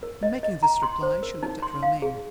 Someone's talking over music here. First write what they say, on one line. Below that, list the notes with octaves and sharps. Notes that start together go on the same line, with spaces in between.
In making this reply, she looked at Romayne.
A#4
D#5
D#5
A#5
C6
C5
A#4
D#4
C6
F5
G#4